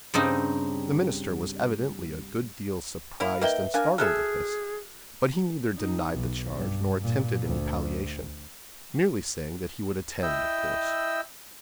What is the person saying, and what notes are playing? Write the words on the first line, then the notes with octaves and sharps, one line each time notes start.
The minister was evidently a good deal surprised and startled at this, but he neither denied the charge nor attempted any palliation, merely saying that he would attend, of course.
G2 C#3 C4 D#4
A#3 E4 F5
A#3 D#4 B4 E5 G5 G7
D4 A#4 F5 G#5
F#3 G#4 A4 E5 F6 F#6
D#4
B1
G2
A#2
D2
E4 D#5 G5 E6